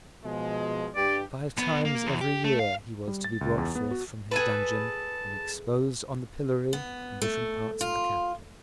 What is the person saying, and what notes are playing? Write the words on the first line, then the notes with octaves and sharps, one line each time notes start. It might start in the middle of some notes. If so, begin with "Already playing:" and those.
Five times every year he was to be brought forth from his dungeon and exposed on the pillory in different parts of the capital.
B2 F3 G#3
G2 G4 D5
B1 B3
A#3
E2
G4
A3
F5
G3
A6
C#2
E2
B3
F#4
G#4 A4 B4 A5
B3
A3
F4